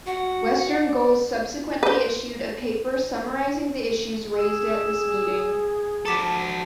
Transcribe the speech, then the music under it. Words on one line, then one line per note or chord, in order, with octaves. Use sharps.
Western Goals subsequently issued a paper summarising the issues raised at this meeting.
F#4 F#5
D5
B4 C5
G#4 E6
F3 F#4 A4 A5 D6 B6